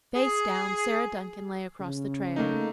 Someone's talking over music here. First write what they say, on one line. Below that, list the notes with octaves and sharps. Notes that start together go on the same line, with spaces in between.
Face down, Sarah Duncan lay across the trail.
G#4
C#3
A3 A#3 D#4